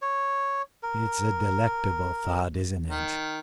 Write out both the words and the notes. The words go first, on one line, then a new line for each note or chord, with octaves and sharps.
It's a delectable thought, isn't it?
C#5
A#4
D#3